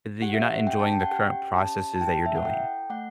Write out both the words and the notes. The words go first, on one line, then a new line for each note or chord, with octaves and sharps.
the you're not enjoying the current processes that you're doing,
G4 F#5
E5
F#5
C#4 G5
A5
G5
F#5
G4 G5
C#4 A5
A5
E4 G5
E5
F#5
A4 G5
A3 F#5